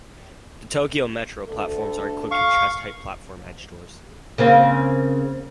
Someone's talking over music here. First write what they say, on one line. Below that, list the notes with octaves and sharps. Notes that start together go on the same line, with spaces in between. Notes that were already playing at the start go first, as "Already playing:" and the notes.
The Tokyo Metro platforms are equipped with chest-height platform edge doors.
D2 A4
F5 C#6
C#3 A#3 C4